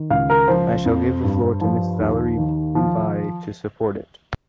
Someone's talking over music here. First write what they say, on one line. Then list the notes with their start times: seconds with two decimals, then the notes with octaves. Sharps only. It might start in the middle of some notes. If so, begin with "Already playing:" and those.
I shall give the floor to Mrs. Valérie Beauvais to support it.
Already playing: D#3
0.10 C#2 F5
0.30 A#4
0.48 F3 C5
0.86 F2
1.24 G2
1.61 F3
1.99 D#2
2.38 D#3
2.75 F3